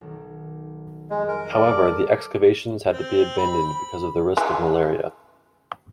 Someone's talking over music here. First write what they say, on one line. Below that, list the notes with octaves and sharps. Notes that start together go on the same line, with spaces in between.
However, the excavations had to be abandoned because of the risk of malaria.
B1 D#3
F1 F#3 G#3
A#4
G3 G#4 A4 D5
C4
B5
E3 G#3